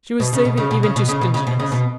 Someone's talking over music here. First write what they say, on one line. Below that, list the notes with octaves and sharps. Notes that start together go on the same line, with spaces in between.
She was saving even to stinginess.
B2
C#3
B2
C#3
B2
C#3
B2
C#3
B2
C#3
B2
C#3
B2